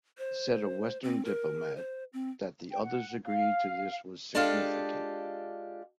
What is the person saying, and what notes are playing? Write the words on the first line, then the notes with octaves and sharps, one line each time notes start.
Said a western diplomat, That the others agreed to this was significant.
C5
C4
A#4
C5
C4
G5
F#5
F5
G#3 D4 F4 G4 A4 F5